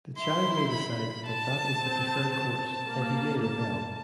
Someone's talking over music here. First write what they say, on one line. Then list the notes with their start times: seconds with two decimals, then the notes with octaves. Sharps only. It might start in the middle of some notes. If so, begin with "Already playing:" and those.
The child may decide that that is the preferred course, or he may rebel.
0.17 E4 C6
0.72 B5
1.26 A5
1.79 C4
2.33 A5
2.87 A#3
3.42 A5